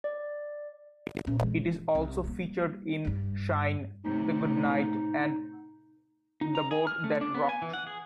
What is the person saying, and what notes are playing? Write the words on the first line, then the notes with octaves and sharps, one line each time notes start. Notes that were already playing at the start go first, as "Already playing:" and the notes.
It is also featured in "Shine", "The Good Night" and "The Boat That Rocked".
D5
A#2 C#4
E3 G#3
C2
G3 A#3
G2 G3
A2 C3 D#4
D#4
A#5
G#4
F6
A3
D4
B3
G#5
E3
F#5
G#4